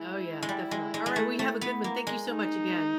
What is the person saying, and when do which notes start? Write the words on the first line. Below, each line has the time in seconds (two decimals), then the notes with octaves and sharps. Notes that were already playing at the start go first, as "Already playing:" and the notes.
Oh, yeah, definitely, alright, well, you have a good one, thank you so much, again.
Already playing: G#3 E4
0.42 G#3
0.49 G3
0.71 G#3
0.94 G#3
1.06 G#3
1.16 A3
1.39 A3
1.61 B3
1.84 A#3
2.07 G#3
2.29 D#4